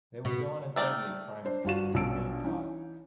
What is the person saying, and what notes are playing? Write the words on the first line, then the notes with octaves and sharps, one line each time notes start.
They would go on a deadly crime spree before being caught.
B2
D#3 A3 D5 E5
D4 C5
G1 D4 F4 F#4 E7
A#1 B2 C#4 A5 E6 D7
E3 C#4 D#4